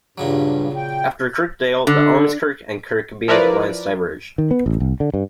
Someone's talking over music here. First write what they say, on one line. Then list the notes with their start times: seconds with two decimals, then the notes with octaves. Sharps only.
After Kirkdale, the Ormskirk and Kirkby lines diverge.
0.18 G2 A#2 C#3 F#3
0.76 G5
1.87 D3
3.28 F3 E4 A#4 B4 D5
4.38 D#3
4.51 B3
4.66 A1
4.80 C2
5.00 D3
5.14 G2